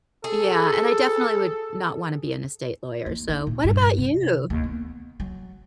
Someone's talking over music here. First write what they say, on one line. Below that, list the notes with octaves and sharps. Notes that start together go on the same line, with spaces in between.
Yeah, and I definitely would not wanna be an estate lawyer, so, what about you?
G#4 A4
D#2
D#4
A#2
G2
C3
D#2
B3
F#3